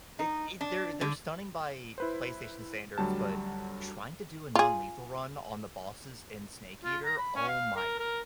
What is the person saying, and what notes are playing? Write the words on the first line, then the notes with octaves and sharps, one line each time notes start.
f it it they're they're stunning by PlayStation standards, but trying to do a non-lethal run on the bosses and Snake Eater, oh my
D#4
D4
D3
E4 B4 C5
D2 F#3 G3 A5
F4 G#4
F4
A#5
B5
C#4
F5
A#4
A#4